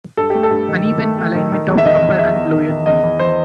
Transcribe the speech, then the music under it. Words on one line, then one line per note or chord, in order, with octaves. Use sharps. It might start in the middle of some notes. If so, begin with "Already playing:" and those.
Uneven alignment of upper and lower teeth.
G2 A4
A3 G4
A4
G2
D#3
D#3
A3
A3
D#3
D#3
E2
E5
D#3 D#5
E2
E2 E5
E2
D#3
D#3
E2 D#5
E3
E3 C5